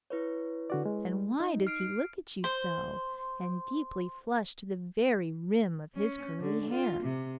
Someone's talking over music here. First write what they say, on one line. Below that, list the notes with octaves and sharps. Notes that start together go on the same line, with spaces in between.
And why does he look at you so, and deeply flush to the very rim of his curly hair?
E4 B4 C#5
D3 F#4 D5
G#3
D#4
F6 C7 D7
C5 C6
C#4
D3
F4
C3